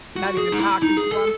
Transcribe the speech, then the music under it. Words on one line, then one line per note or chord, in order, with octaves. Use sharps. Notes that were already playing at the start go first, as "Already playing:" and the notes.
Not even talking to him?
F#4
G#4
D#4
E4
D#4
G#4
A4